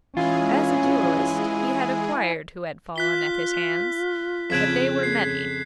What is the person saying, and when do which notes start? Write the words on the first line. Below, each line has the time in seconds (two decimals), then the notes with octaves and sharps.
As a duellist he had acquired who had fallen at his hands; but they were many.
0.17 E3 G#3 C#4 E4 F4 G#4 G#5
2.96 F4 F#6 B6 G7
4.50 F2 C#3 C4 F#6 G#6 B6
5.03 C7